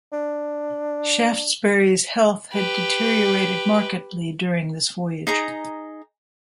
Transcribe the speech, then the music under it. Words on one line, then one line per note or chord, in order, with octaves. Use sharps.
Shaftesbury's health had deteriorated markedly during this voyage.
D4
G4 B4
D#4 G#4 A#5